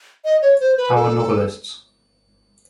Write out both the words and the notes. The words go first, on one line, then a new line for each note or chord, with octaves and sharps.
Our novelists.
D#5
C#5
C5
B4
A4